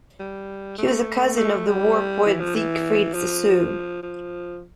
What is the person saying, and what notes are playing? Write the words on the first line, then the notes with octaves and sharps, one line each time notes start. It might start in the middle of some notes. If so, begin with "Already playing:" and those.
He was a cousin of the war poet Siegfried Sassoon.
G3
A3
A3
G3
E3
F3
E3
F3
F3